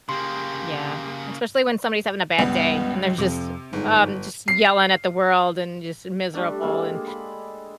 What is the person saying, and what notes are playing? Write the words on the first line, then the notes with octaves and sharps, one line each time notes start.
Yeah, especially when somebody's having a bad day, and they're just um, just yelling at the world and just miserable, and,
C#3 A#3 G4 C6
C#2 G2 B3
F2 C3
G1 G#2
C7
G3 A3 D4 A4
G#3 A#3 A4
B5